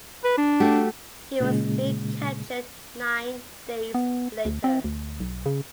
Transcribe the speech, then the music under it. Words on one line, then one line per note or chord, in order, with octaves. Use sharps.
He was recaptured nine days later.
B4
D4
A3 F#4 G4
A#2 C#3 G#3
B3
D2
C4
D2
B1
C#3